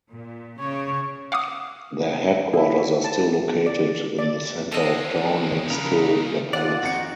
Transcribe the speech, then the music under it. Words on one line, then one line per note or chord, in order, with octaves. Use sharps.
Their headquarters are still located in the centre of town, next to "the palace".
A#2
C#3 C#5
F5 F#5 D6 D#6
E4
A5
D5
D5
F3 G#3 A4 D#5
C#3 A#4 B4 F5
F4 D5 F#5
F2 D#4 F#4 C#7